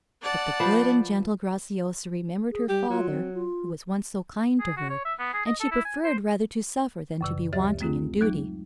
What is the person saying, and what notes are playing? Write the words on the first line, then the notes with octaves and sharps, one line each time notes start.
But the good and gentle Graciosa remembered her father who was once so kind to her, and she preferred rather to suffer than to be wanting in duty.
D5 F#5 A5
F3 B4 C5
G#4
G3 G4
F#3 F4
C4
F4
G#4
F#4
C#5
E5
B3
G#4
D#5
A4
E4
G#5
C5
F#2 C#3 E3
D2 F3 G4 C#5 E5 A6
A3 C4 F4 G#4
F#3 G#3 D#4